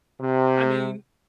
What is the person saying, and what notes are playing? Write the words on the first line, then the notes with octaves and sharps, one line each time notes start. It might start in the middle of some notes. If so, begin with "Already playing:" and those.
I mean,
C3